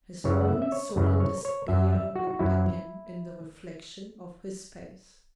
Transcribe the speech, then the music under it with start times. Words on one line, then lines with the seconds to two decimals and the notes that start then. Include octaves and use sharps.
His own sullen despair looked at him in the reflection of his face.
0.24 F#2 C#3 E3 C#5
0.41 F#5
0.48 E5
0.62 E5
0.72 C#5
0.96 F#2 C#3 E3
1.20 C#5
1.45 C#5
1.68 F#2 F#3 E5
1.92 E5
2.16 F#4
2.30 F#4
2.39 F#2 F#3 E4